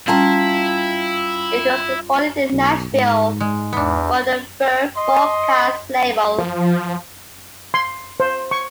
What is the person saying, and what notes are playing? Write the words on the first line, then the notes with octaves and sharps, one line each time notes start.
It was recorded in Nashville for the Verve Forecast label.
G3 C#4 E4 F4 G5 A5 A#5
B1
G#2
G#3
E2 B3 D4
D#5 C6
F3
C6
C5
C#6